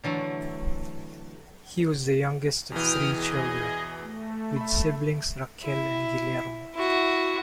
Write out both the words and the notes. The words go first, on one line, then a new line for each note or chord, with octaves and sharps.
He was the youngest of three children, with siblings Raquel and Guillermo.
D3 E3 F#3 A3
E2 B2 E3 G5 D#6 F6
G#4 D#5
A3
E5 B5
E4
E4 F#4